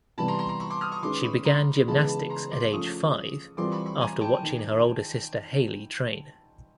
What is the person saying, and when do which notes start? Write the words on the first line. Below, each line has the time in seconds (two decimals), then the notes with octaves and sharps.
She began gymnastics at age five after watching her older sister Hayley train.
0.18 C3 E3 G3 B3 E4 A5 B5
0.28 A#5 C6
0.39 A#5 C6
0.49 A#5 C6
0.60 B5 C#6
0.70 C6 D6
0.81 D#6 F6
0.92 C#6 D#6
1.03 D#3 G#3 C#4 F#4 B4 C6 D6
1.23 B5 C#6
1.45 A#5 C6
1.88 C#3 E3 G#3 B3 D#4 A5 B5
2.09 A5 B5
2.30 A#5 C6
2.52 C6 D6
2.72 F3 A3 C#4 C#6 D#6
3.57 E3 G3 C4 F4 A#4 C6 D6
3.72 B5 C#6
3.86 B5 C#6
4.01 G#5 A#5
4.21 G5 A5
4.43 D#3